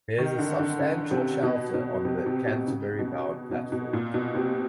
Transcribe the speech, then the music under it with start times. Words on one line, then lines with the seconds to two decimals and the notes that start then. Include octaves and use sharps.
There is a substantial shelter on the Canterbury-bound platform.
0.18 D#3
0.39 D3
0.59 D3
0.80 C#3
1.11 C3
1.43 B2
1.74 B2
2.05 C3
2.26 C3
2.47 B2
2.67 C#3
2.99 B2
3.51 B2
3.72 B2
3.93 A#2
4.14 B2
4.35 C3